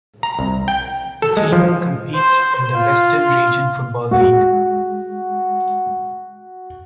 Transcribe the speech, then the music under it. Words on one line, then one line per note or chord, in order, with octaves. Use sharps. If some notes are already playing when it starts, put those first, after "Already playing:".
The team competes in the Western Region Football League.
A#5
C2
G5
A4
G#3
F3
C5
F4
G#3 F#4